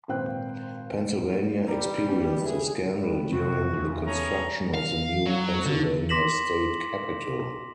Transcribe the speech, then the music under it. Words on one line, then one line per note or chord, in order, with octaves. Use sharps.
Pennsylvania experienced a scandal during the construction of the new Pennsylvania State Capitol.
G#1 A#2 B4 C5 G5 F#6
A#3
G3 B4 A#5
B3 C#4 G4 B4
G#4 E5
F2 G3 B4
C3 F#4
E2 F4 G4 G#4
B3 C#4 G#4 A4 A#5
F5
F#3
D3
C6 D6 A#6 B6 E7 F#7